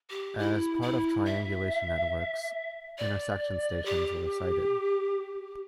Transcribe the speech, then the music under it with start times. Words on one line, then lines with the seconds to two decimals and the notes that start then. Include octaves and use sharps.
As part of triangulation networks, intersection stations were sighted.
0.10 G4
0.39 E4
0.82 E4
1.25 E5
2.98 D5
3.85 G4